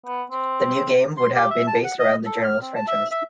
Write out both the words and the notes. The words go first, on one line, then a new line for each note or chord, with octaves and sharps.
The new game would have been based around the "Generals" franchise.
B3
C4
C6
G4
E5
A5
F#5
D#5
A4
F6
C4
A5
E5
E5